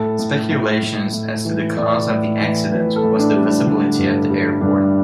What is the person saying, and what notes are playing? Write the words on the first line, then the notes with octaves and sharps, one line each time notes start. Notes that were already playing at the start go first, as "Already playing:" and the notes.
Speculations as to the cause of the accident was the visibility at the airport.
Already playing: A2 A4
A2
A2
A2
A2
E3
A2 D5
A2
E3
A2 B4
A4
A2
D4
G3
D4
D3 D4
G2
G3
G2 D4